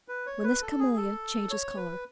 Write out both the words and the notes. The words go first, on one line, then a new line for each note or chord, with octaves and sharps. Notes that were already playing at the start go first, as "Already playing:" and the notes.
"When this camellia changes colour."
B4
C#5
B4
A4
G#4
A4
C#5
B4